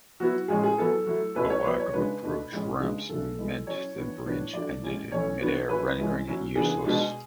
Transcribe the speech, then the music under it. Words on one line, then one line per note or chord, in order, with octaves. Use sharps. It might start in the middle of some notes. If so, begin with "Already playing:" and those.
The lack of approach ramps meant the bridge ended in midair, rendering it useless.
F#3 B3 E4 F#4
A2 G#3 C#4 G#4
G#4
F#3 B3 E4 A4
F#3 A3 E4
B2 A3 C#4 E4 B4
C#5
F#3 B3 E4 B4
C#5
C#3 G#3 D4 B4
B2 A3 D4
A2 G#3 C#4
C#3 G#3 D4 G#4
C#3 F#3 A3 D4 A4
B2 G#3 B3 E4
F#3 C#4 E4 C#5
E3 B3 D4
A2 E3 B3 D4
F#3 A3 D4 D5
A2 G#3 C#4 E4
E3 A3 C#4 E4 C#5
E3 B3 D4
F#3 C#4 E4 B4
E3 G#3 C#4 E4
F#3 C#4 E4
C#3 E3 B3 D4 G#4
B2 G#3 D4